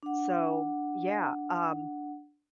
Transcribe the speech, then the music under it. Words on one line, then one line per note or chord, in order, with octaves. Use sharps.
So, yeah, um
D4 F#5